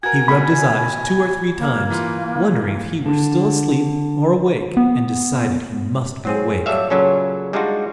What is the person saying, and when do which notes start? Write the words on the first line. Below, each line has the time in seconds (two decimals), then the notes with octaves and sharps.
He rubbed his eyes two or three times, wondering if he were still asleep or awake and decided he must be awake.
0.03 F#4 A#4 G#5 G#6
0.28 B2 F#4 B5
1.58 A#3
1.90 E3 F4
3.06 D3
4.77 B3
6.25 F#3 C4 G#4
6.66 F#3 G3 A4 C#5 E5 F5
6.90 A#2 C#3 F#3 C#4 A4
7.53 G3 G#3 D4 D#4 F4 F#4